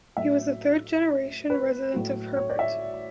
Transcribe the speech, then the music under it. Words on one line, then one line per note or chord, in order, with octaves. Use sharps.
He was a third generation resident of Herbert.
A2 F#3 E5
B4
A2 F#3
C#5
D5
E5